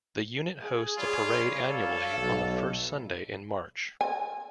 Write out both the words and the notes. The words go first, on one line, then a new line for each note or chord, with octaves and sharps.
The unit hosts a parade annually on the first Sunday in March.
G#4
G3 F4 C#5
A4 F5
B1
G#5